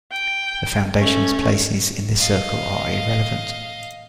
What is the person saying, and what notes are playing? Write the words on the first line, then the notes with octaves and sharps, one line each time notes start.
The foundations' places in this circle are irrelevant.
G5
A3 C#4
D#5 F5